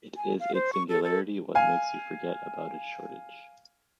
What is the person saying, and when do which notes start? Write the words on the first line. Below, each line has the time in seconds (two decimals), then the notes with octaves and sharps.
It is its singularity what makes you forget about its shortage.
0.17 G#5
0.40 F5
0.54 C5
0.73 C#6
0.89 A4
1.04 A4
1.55 F5 G#5